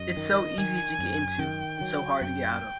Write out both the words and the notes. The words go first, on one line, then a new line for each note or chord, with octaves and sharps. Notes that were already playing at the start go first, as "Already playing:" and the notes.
It's so easy to get into and so hard to get out of.
Already playing: F#2 D#5
D#3
D#3 G#5
F#2
D#3 G5
F#3
F#2 G5